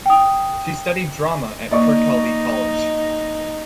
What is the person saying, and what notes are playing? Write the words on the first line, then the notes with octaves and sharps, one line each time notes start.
She studied drama at Kirkcaldy College.
G5 D#6
A#3 D#4 D5 D#5 C#6